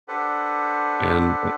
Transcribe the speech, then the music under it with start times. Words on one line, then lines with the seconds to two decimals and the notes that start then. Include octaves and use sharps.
and, eh"
0.08 D4 G4 A4 B4 C5 F#5